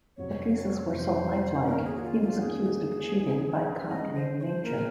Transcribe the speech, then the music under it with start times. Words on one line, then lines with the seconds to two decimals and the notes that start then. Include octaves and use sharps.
The pieces were so lifelike, he was accused of cheating by copying nature.
0.17 F2 C3 F#3 C4 C#5
0.91 F2 C3 F#3 C4 C5
1.66 D#3 A#3 C#4 A#4
1.85 G#4
1.96 F#4
2.04 F4
2.23 F4
2.40 D#3 A#3 C#4 G#4
3.15 D#3 G#3 C#4
3.89 D#3 G#3 C#4 D#5
4.15 C5
4.39 C#5
4.43 C5
4.64 D#3 A#3 F4 G#4 A#4